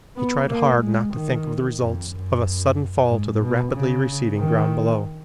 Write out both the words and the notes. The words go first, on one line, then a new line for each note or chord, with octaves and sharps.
He tried hard not to think of the results of a sudden fall to the rapidly receding ground below.
B3
A#3
G#3
D#3
F2
F#2
G#2
B2
C#3
D#3